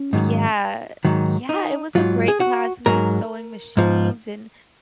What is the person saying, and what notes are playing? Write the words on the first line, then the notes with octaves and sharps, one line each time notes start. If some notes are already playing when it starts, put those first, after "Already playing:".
Yeah, yeah, it was a great class, we used sewing machines and
Already playing: C#4
G#2 D#3 F#3
G#2 D#3 F#3
D#4
G#2 F#3 F4
G#4
F#4
G#2 F#3 A#4
G#2 F3